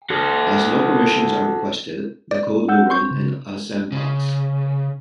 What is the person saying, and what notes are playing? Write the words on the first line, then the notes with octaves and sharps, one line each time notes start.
As no permissions are requested, the code will run in a sandbox.
F#4 A4
D5
F#5 E6 G6
C4 C6 C#6 G6
C#3
C#3